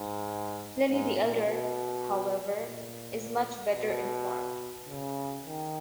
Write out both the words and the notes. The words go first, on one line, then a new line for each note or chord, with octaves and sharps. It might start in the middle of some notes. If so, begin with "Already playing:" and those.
Pliny the Elder, however, is much better informed.
Already playing: G#2
G#2
A#2
B2
A#2
B2
C#3
D#3